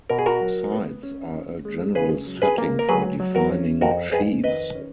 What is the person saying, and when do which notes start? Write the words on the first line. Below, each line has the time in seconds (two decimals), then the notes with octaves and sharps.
Sites are a general setting for defining sheaves.
0.10 B2 A#4
0.19 G#4
0.26 F#4 A#4
0.41 F#3
0.72 B3
1.03 C#4
1.34 C#4
1.65 G#3
1.95 C#3 G#4 B4
2.26 F#3
2.42 G#4 B4
2.58 A#3
2.79 A#4
2.89 F#3 G#4 B4
3.20 F#3
3.35 F#4 A#4
3.51 C#4
3.81 F2 F#4 A#4
4.12 F2 G#4 B4
4.44 D#3 B4 D#5
4.75 C#4